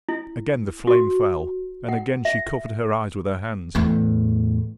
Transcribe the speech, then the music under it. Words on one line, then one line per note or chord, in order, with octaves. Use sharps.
Again the flame fell, and again she covered her eyes with her hands.
E4
F#4
F#5
E5
E2 A2